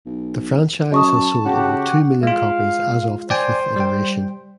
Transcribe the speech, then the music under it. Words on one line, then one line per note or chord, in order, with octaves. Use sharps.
The franchise has sold over two million copies as of the fifth iteration.
B1
F#2 D#5 A5 C#6 D#6
C#3 F#4 G4 F#5
G#3 F4 F5
C5 D5 G5 G#5
G3 G5